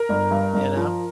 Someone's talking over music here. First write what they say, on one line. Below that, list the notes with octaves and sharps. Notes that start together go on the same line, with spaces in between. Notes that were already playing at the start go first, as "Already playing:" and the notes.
You know?
Already playing: A#4
G1
G2
G1
F3